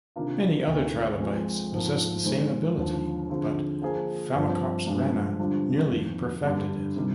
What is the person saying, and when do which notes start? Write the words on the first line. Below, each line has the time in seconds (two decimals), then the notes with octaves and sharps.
Many other trilobites possessed the same ability, but "Phacops rana" nearly perfected it.
0.16 C3 D#3 A#3 D4 F4
0.67 D2 C3 D#3
1.20 F3 G#3 C4
1.72 G#2 F3 A#3
2.24 D#3 G#3 C4
2.77 D#2 D3 F3
3.29 D3 F3 C4 F4 G#4
3.82 F3 A#3 F4 G#4 C5
4.34 G2 F3 C4
4.86 G2 F3 G#3 D4
5.39 D3 G3 D4 F4 C5
5.91 F2 D#3 A#3
6.44 G2 D3 G3 D4
6.96 C3 D#3 G3